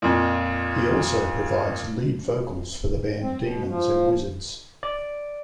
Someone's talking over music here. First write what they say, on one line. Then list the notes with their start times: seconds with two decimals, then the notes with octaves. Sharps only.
He also provides lead vocals for the band Demons and Wizards.
0.02 F2 A#2
3.21 C4
3.40 B2
3.67 F3
4.83 D5